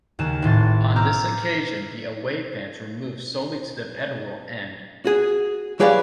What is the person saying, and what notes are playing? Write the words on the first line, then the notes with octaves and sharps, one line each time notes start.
On this occasion the away fans were moved solely to the Petteril End.
D#2 C#3 E7
G#1 A2 C6 A6
A#5 D6 E6 F6 G6
F#4 G#4
F#3 G4 G#4 B4 D5 F5